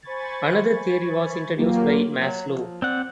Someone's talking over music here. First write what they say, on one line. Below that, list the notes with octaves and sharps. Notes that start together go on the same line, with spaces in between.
Another theory was introduced by Maslow.
C5 G#5 B5 C#6 G#6 A6
F#3 A#3 F4 G4
F#3
F3
C4 D5 F#5